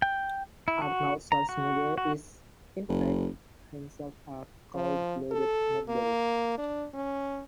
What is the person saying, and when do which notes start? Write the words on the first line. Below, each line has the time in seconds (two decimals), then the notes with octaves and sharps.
Arnold Schwarzenegger is, in fact, himself a cold blooded murderer.
0.02 G5
0.68 E4
0.82 F#4
1.32 A#5
1.49 F#4
1.98 F#4
2.89 F#1
4.74 F3
5.32 A4
5.88 A#3
6.58 D4
6.94 C#4